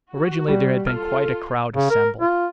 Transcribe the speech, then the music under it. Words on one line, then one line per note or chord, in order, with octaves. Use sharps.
Originally there had been quite a crowd assembled.
F#4
G3
F4 A4 F6
C#3
A#4
F4